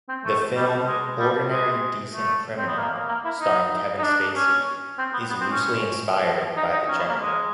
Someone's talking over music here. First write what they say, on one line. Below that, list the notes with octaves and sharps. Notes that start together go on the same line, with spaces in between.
The film "Ordinary Decent Criminal", starring Kevin Spacey, is loosely inspired by the General.
C4
A3
G3
G#3
G3
G#3
A3
C4
B3
A#3
A#3
E4
D#4
D#4
D4
C#4
C4
B3
B3
C4
C#4
D#4
D#4
C#4
B3
A#3
G#3